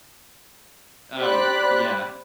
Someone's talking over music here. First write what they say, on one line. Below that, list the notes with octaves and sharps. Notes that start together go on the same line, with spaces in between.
Oh, yeah.
G4 C5 D5 B5 F#6